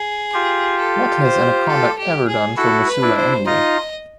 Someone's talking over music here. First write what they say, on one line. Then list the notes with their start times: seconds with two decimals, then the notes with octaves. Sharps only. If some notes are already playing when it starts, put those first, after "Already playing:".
What has Anaconda ever done for Missoula, anyway?
Already playing: G#4
0.34 F4 G4
0.79 A4
1.23 C5
1.68 A4
1.98 G4
2.27 G#4
2.57 E4 F#4 A4
2.87 B4
3.02 D4 E4
3.17 C5
3.46 D#4 F4 D#5